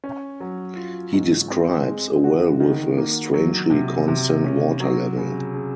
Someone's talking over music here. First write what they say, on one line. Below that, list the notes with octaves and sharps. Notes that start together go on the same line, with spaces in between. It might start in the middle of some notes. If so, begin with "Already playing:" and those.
He describes a well with a strangely constant water level.
C#4
F#3
F4
G#2
C4
G#3
F#4
D#3
A#3
F#3
C3
C3
C#4
F#3
C#3
C#3